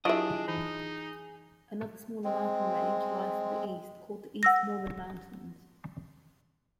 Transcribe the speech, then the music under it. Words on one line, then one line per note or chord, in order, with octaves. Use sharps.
Another smaller mountain range lies to the east, called the East Mormon Mountains.
F#3 D4 E4 F4 G4 G#4 D#5 E5
E3 D#4
G#3 C4
F#5 E6 A#6